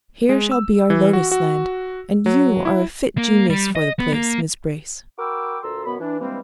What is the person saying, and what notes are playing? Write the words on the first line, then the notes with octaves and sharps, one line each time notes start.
"Here shall be our lotus-land, and you are a fit genius for the place, Miss Brace."
G#3
E6
E3
F#4
F#4
F#3
E4
A#3
G3
D#5
B3
A#3
F#4 A#4 G5 B5 D6 E6
D2 A#2 A4 A#5 C6 E6
F#2 B2 B3 B5
E3 D4
G2 E3 G3 G#3 A#3 C4